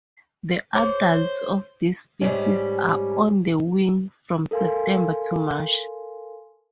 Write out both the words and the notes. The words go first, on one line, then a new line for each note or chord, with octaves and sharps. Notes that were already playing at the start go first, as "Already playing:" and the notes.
The adults of this species are on the wing from September to March.
G#4 C5 C#5
G#2 G3 C#4
A4 A#4 F5 G#5 C6